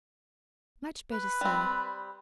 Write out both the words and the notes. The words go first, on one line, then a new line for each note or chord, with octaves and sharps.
'Much better so.
B4
G3 C4